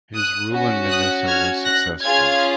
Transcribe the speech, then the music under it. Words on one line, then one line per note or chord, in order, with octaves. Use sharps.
His rule in Manisa was successful.
D#6 F#6
C#4 F#4
D#6 F#6
F6 G#6
F#6 A#6
C#4 F4 G#4 F6 G#6